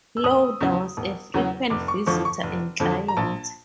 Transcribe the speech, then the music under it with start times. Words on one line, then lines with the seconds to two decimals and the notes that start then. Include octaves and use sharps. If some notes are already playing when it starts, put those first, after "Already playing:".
Lauder was a frequent visitor and client.
0.17 E6
0.24 E1 D#6
0.61 E2 C#3 F#3
0.97 E1
1.34 E2 C#3 F#3
1.70 F1 D6
1.88 C#6
2.06 F2 D3 F3 C#6
2.25 C#6
2.43 F1
2.80 F2 D3 F3
3.08 A#5
3.17 A#1 A5